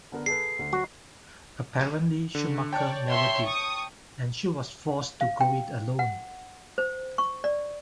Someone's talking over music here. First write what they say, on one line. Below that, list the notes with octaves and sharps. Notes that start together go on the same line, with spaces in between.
Apparently Schumacher never did, and she was forced to go it alone.
D3 B3 A#4
G#4 A4 B4 C7
D2
F#3 F#4
D3
C#5 D5 G5 A5
C#5 E5 C6
C#6 D#6
F5
G5
F#5
C5
C#6
D5